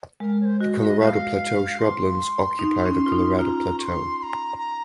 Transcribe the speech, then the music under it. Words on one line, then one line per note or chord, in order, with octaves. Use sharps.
The Colorado Plateau shrublands occupy the Colorado Plateau.
G#3 A#4
C#5
C5
F#4 D#5
F5
D#5
F5
C6
D#4
C#4
F4
D#4
F4 A#5
C#6
C6
C6
A#5
A#5